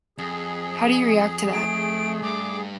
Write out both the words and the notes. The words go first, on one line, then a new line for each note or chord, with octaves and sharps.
How do you react to that?
F2 G#4
A3 D7
G2 D6